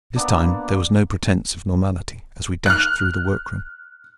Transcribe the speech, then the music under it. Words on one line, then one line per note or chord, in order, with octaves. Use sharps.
This time there was no pretense of normality as we dashed through the workroom.
A#3 B3 D4
F6 F#6